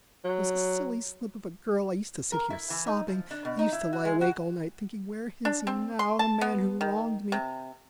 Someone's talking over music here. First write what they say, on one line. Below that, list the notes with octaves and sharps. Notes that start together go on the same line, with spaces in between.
I was a silly slip of a girl; I used to sit here sobbing; I used to lie awake all night, thinking: 'Where is he now, the man who wronged me?
F#3
A#4
E4
E3
D#4
F3
D4
B2
D#4
E4
F#4
G#3
F#4
D4
C4
C6
A5
B3
D#3
C3